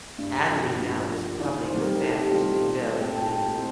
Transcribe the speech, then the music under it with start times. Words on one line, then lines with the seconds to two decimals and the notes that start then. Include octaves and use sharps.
As a result, public access to the fell is limited.
0.18 G2
0.48 F3 A#3
0.79 G2
1.09 F3 A#3
1.39 D#3 D5
1.60 C5
1.69 G3 C4 D#4
1.80 A#4
2.00 D#3 A4
2.16 G4
2.31 G3 C4 D#4 F4
2.46 G4
2.60 A#2 F4
2.82 A4
2.91 A3 C4 D#4
3.01 G5
3.16 A5
3.21 A#2 G5
3.52 A3 C4 D#4